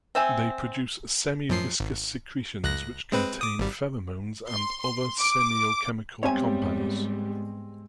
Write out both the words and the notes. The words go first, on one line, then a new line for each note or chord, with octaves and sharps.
They produce semi-viscous secretions which contain pheromones and other semiochemical compounds.
C4 E5 G#5
F#2 F3 C7
G#1
C#2 F#6 A#6
G#3 C4 B4
D6 D#6
G#1 G3
C6
C6
D6
G#2 G3 G#3 B3 C4 C#5 E5 G#5